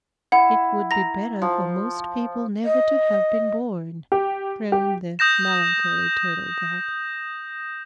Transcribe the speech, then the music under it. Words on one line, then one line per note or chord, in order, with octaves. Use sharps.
"It would be better for most people never to have been born," crooned the melancholy Turtle-Dove.
E4 F#5
A#5 A#6
F3
D#5
G4
G4
D#6 G6 A#6 E7